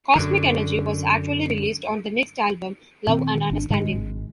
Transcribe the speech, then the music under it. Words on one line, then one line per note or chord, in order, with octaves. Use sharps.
"Cosmic Energy" was actually released on the next album, "Love and Understanding".
F#2 D3
A#2 D#3 C4
D#3
G#1 D4
G#2 C3 D#3 G#3
G#1